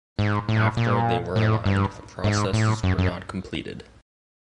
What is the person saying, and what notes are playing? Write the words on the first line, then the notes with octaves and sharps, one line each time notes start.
After they were aligned, the processes were not completed.
G#2
A2
A#2
A2
G2
G#2
A2
F#2
F#2